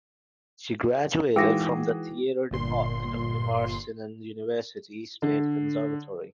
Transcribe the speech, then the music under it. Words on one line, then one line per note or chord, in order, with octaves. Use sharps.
She graduated from the Theater Department of Mimar Sinan University State Conservatory.
E3 G#3 D#4 F#4 G#4 G5 D6 A#6
G1 A#2 C6
D3